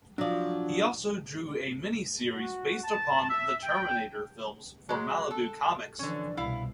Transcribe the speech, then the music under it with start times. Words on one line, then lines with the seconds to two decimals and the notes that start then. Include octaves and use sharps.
He also drew a mini series based upon "The Terminator" films for Malibu Comics.
0.18 F3 F#3 D4 D5
2.33 F#4
2.84 A5
3.30 E5
3.63 G5
4.89 F#3 G#3
5.31 A4
5.99 D3 E3 F3 C#4
6.37 C2 B2 E4 F5